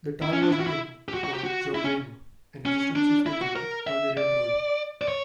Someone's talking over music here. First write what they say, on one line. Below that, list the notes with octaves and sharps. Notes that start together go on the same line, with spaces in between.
The town was named for George Raymer, an assistant chief engineer for the railroad.
E4
C#4
D4
E4
F#4
E4
G4
F#4
F#4
G4
F#4
E4
C#4
C#4
D4
E4
F#4
A#4
E5
D5
D5
C#5